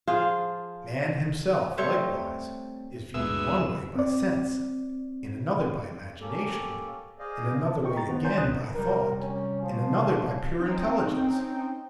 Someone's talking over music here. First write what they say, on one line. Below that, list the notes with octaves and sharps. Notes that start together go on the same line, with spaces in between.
Man himself, likewise, is viewed in one way by Sense, in another by Imagination, in another way, again, by Thought, in another by pure Intelligence.
F3 F4 G#4 F5
G3 A3 C4 C#5
D2 G#3 B3 E5 E6
C4 D5
A#3 C#4 G4 A4
G#4 C5 D5 D#5 F5
A5
F4 D#5 G5 C#6
A#5 A6
D#3 B3 C5 F#5
C#5 G#5 A#5 C6 G6
C2 B2 G3 C#4 D#6 F#6
C3 G3 A#4
C#4
F3
C4 C#4 D#4 G5